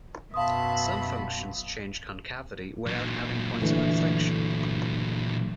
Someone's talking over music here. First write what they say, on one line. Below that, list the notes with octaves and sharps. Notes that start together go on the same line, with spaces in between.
Some functions change concavity without having points of inflection.
F#2 B2 E5 F5 A5 B5 C6 D#6
A#2 F#3
D3 E3 A3